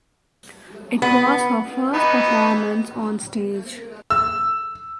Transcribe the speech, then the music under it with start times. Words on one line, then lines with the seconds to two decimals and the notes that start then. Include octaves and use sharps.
It was her first performance on stage.
1.02 B3
1.93 E3 B3 D#4
4.10 E6